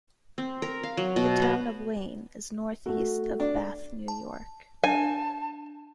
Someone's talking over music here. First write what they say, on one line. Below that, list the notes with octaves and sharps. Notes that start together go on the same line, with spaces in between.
The Town of Wayne is northeast of Bath, New York.
C4
A#4
F5
F#3
B2
B3
A3 F#4
D4
A5
D4 G#5 A5